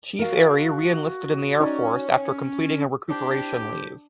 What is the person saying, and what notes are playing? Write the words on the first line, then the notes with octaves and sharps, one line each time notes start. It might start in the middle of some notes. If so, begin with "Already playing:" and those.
Chief Airey reenlisted in the Air Force after completing a recuperation leave.
F#4 A#4 F5
C#4 D#4 D5
C4 D4 E4 G4